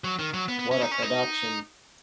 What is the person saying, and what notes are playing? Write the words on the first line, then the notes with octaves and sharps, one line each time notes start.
What a production!
F#3
D#3
F#3
B3
B3
C#4
D#4
C#4
D#4